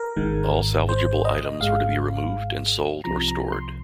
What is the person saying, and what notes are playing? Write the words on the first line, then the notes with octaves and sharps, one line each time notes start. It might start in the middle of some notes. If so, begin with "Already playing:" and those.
All salvageable items were to be removed and sold or stored.
Already playing: A#4
G#1 G#2 D#3 G#3
C5
D#5
G#1 G#2 G#3 F5
C2 C3 F3 A#5
A#5
C6